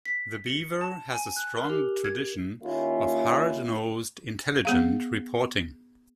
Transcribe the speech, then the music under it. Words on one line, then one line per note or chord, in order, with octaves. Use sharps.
"The Beaver" has a strong tradition of hard-nosed, intelligent reporting.
B6
C#7
A5
G#5
F#6
A#4
G4
G#6
D#2 A#3 C#4 E4 F4
B3 G#4 F5